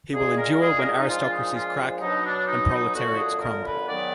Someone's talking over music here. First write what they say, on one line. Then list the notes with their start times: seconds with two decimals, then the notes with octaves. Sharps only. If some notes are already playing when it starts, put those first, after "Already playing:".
He will endure when aristocracies crack and proletariats crumble.
0.13 A#2 G#3 D4 G#4
0.37 A#4
0.60 G#4
0.78 A#4
0.84 G#4
0.97 D#4
1.07 A#2 F3 G#3 D4 F4
1.31 D#4
1.54 F4
2.00 B2 F#3 D4 D#4
2.24 D4
2.47 D#4
2.71 D#4
2.94 F#2 D3 F3 B3 F#4
3.17 G#4
3.40 A#4
3.65 B4
3.87 G#2 D#3 F#3 B3 D5